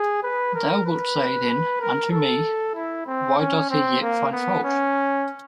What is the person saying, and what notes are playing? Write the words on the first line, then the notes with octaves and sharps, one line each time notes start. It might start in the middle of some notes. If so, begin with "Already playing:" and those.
Thou wilt say then unto me, Why doth He yet find fault?
Already playing: G#4
B4
A#4
B4
A#4
A4
E4
C4
C#4
C4
A#3
B3
C#4